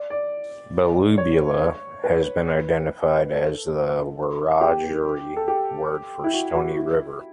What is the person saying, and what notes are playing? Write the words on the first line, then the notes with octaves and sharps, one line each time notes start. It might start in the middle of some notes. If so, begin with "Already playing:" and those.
"Belubula" has been identified as the Wiradjuri word for "stony river".
Already playing: D5
D5
C#5
B4
A4
G4
A4
G4
E4
F#4
F#4
E4